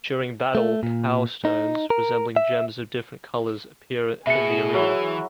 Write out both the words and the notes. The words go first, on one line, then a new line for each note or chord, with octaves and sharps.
During battle, "Power Stones", resembling gems of different colors, appear in the arena.
A3
A#2
D#4
A#4
E5
B2 B3 G#4 E5 C#7
E3 F#3 E4